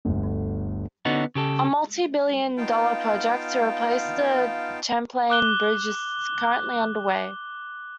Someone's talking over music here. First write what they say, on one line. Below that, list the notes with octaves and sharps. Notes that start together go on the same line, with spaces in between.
A multibillion-dollar project to replace the Champlain Bridge is currently underway.
G1 D2
D3 B3 C#4 D#4 F#4
C#3 G4 A4
B3 D#4 F4 F5 G5 A5
D6 F#6 G7